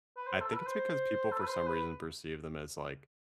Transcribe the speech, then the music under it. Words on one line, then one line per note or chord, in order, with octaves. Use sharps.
I think it's because people, for some reason, perceive them as, like,
B4
C5
A4
B4
C5
A4
B4
C5
B4